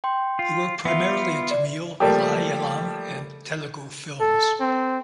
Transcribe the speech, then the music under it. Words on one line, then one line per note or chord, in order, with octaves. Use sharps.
He worked primarily in Tamil, Malayalam and Telugu films.
G5 C6
F4
B3 F4 E5
D5
F3 G3 A3 A#3 G4
A4
C4